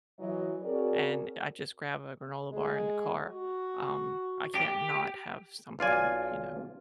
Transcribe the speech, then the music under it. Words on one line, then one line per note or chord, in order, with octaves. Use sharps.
and I just grab a granola bar in the car, um, I can't not have something, you know,
E3 F#3 D#5
C4 F#4 G#4 A#4 C#5 D5
G#3
F#4
G4
B1 F4 D5 G#5